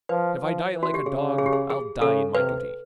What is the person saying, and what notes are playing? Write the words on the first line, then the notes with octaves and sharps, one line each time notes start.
If I die like a dog, I'll die in my dooty.
F3 B4
F3
E3
F#4
G4
C#3 G#4
G#4
G4
G#4
G#4
C#3 A4
C3 B4